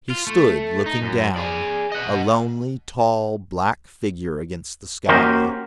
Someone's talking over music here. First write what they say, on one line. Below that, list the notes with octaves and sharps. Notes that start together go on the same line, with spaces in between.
He stood looking down, a lonely, tall, black figure against the sky.
F4
A3
D#4
F#2
G#4 D5
D#5 F#5
A#3 C#4 F#4 G4 A#4 C5